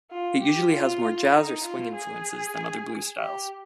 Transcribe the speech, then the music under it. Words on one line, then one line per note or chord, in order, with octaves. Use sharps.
It usually has more jazz- or swing-influences than other blues styles.
F4
G4
F4
D#4
F4
G#4
G4